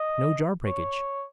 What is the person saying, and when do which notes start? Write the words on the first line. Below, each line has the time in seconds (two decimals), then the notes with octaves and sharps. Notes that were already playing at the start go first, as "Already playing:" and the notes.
No jar breakage.
Already playing: D#5
0.66 C#5